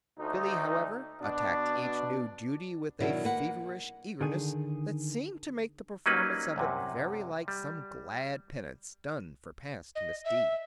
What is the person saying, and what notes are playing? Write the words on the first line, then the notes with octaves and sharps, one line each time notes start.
Billy, however, attacked each new duty with a feverish eagerness that seemed to make the performance of it very like some glad penance done for past misdeeds.
D2 D#4
B2 D4
B2 D#3 F#3 D4 E4
A#3 B4 F#5
D3 D#3 G#4
F#3 G3 A#3 C#4 D#4 B4
C2 F#2 C3
G3
D#5
E5